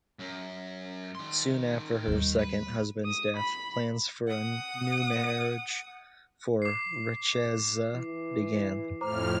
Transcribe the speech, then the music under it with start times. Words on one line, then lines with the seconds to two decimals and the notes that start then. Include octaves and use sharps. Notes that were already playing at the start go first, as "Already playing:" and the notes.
Soon after her second husband's death, plans for a new marriage for Richeza began.
0.19 F#2
1.15 D#3 C6
2.08 D#2 G3
2.39 B4
3.05 D#6
3.36 B5
4.28 F#5 D#6
6.62 D6 C7
7.94 E3
9.01 F2 A2 C5 A#5 D6 F6